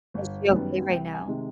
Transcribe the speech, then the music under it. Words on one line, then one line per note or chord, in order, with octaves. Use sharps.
Is she okay right now?
G1
F#2 D#3 G3 B3
C2 G5
G#5
C3 D#3 G#3